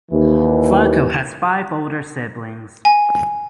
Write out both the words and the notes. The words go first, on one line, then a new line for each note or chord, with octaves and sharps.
Flacco has five older siblings.
D#2 E3
G#5